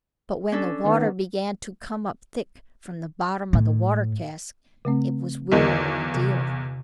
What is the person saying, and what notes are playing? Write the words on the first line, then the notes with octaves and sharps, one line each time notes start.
But when the water began to come up thick from the bottom of the water-casks, it was wearier a deal.
C#4 D4 A4
D#3 B3
A2
C#3 A3 C4
B1 E2 D3 A#4 D#5
C3